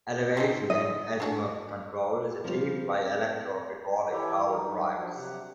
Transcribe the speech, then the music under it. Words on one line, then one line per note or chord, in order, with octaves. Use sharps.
Elevation and azimuth control is achieved by electro-hydraulic power drives.
C4 C#4 D#4
D#5
D4 F#4 G#4
F3 G3 C4
E3 E4 G4 A4 C#5
G2 F#3 D#4
F3 F#3 D4
C3 F#3 G4 F#5